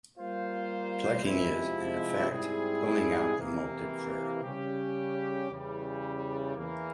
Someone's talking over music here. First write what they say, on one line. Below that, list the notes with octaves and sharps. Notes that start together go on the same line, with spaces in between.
Plucking is, in effect, pulling out the moulted fur.
G3 A#3 F4 C5
C3 F3 G#3 E4
G#2 G3 C4 E4 G#4
C3 E3 A#3
C#3 G3 C#4 G4
E2 C#3 G3
E2 E3 A#3